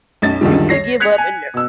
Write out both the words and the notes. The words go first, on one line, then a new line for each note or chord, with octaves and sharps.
you could give up and, uh
B1 F#2 C#4 A6
C#2 F#2 D3 D#3 F3 G3
C#5 A#6 C7
F#6 G#6 B6 C#7 F7
G#5
B2 E6